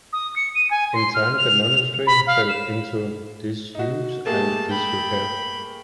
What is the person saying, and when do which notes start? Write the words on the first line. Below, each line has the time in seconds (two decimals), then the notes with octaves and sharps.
In time the monastery fell into disuse and disrepair.
0.13 D#6
0.36 C#7
0.55 D#7
0.71 G#5
0.94 C6
1.14 F6
1.38 F7
2.07 B5
2.27 F5
2.49 E7
3.75 D#4 F#4
4.26 A3 A#3 G4 G#4 A5
4.69 G5 B5